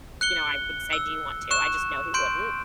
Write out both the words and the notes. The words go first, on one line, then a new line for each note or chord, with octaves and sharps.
you know, I would say, "Do you want to?" I just know he wouldn't.
F#6 C#7 G7
E6
C#6 F#6 E7
C6 G6 D7